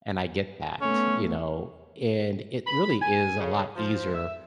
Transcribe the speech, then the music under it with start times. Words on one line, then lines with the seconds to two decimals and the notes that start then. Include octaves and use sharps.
and I get that, you know, and it really is a lot easier
0.81 A3 B3 C#4
2.67 B5
3.02 G#5
3.40 C#3
3.76 F3
4.14 E5